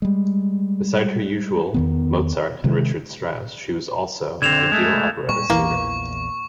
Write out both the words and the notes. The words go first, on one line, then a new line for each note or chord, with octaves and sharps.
Besides her usual Mozart and Richard Strauss, she was also an ideal operetta singer.
G3 G#3
E2 D#3 B3
C3 D#3 G#3
D3 C4 G#6 E7 F7
G#3 A3
A#2 G3 G#3 C#6
A#1 E2 E3 A#3